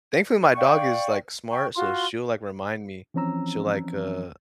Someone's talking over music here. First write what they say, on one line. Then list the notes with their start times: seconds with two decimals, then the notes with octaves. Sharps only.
Thankfully, my dog is, like, smart, so she'll, like, remind me. She'll, like, uh,
0.56 D5 F5 G5 C#6
1.51 G5 C#6
1.75 F4 F#4 C6
3.14 E3 F3 C4 C#4 A#5 E6